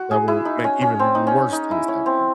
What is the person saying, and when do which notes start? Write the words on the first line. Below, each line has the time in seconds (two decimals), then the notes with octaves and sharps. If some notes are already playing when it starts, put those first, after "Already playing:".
that will make even worse things happen
Already playing: F#4
0.11 G#4
0.28 E4
0.45 D#4
0.64 C#4
0.82 C#4
0.99 C4
1.15 D#4
1.27 C#4
1.53 D#4
1.71 E4
1.88 C#4
2.06 C4